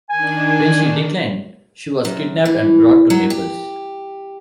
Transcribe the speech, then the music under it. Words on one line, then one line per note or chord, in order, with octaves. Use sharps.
When she declined, she was kidnapped and brought to Naples.
D#3 D4 G#5
F#2
E3
F#3
G4